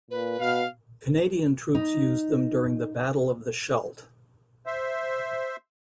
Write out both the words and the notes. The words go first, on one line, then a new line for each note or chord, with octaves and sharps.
Canadian troops used them during the Battle of the Scheldt.
A#2 B4
B2 F5
D#4
C5 E5